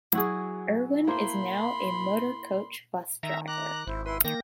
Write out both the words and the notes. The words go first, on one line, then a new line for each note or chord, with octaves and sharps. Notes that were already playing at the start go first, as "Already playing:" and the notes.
Irwin is now a motor coach bus driver.
F#3 E4 F#4 G#4
A#3 E4 C5 B5 C6
D#3 E5 A#5
A#5 D6 F#6
G#1 E4 C5
E4 B4 C6
D#3 A#3 G5 A#6